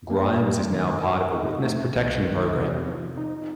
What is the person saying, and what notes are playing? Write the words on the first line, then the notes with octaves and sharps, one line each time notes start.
Grimes is now part of a witness protection program.
A#3
G3
D#3
A#4
D#4
A3
C2
D#3
C3
F3
D#4